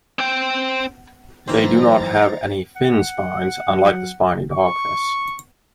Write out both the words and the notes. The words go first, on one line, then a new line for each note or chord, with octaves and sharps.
They do not have any fin spines, unlike the Spiny dogfish.
C4 G5
G#2 E3 F#3 A#3 C4 A#5 A6
F#5
F#3
C#6